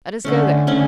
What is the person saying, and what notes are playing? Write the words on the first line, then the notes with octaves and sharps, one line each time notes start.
"Let us go there."
D3 A3 C#4
D3 A3 C#4